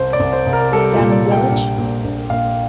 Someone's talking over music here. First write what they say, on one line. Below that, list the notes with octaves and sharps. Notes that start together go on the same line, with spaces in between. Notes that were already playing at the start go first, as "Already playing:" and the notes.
Down in the village?
Already playing: C2 C5
D5
C2
C5
C2
A#4
G3 A4
F4
A#2
D5
G3
G5
A#1
A#2
A#1
A#1 F5